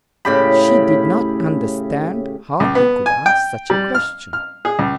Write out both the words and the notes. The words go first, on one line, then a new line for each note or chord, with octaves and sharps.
She did not understand how he could ask such a question.
A2 C#3 G4 B5
C#2
B3
G#5
G5
G3
F6
F6
G#4
C#2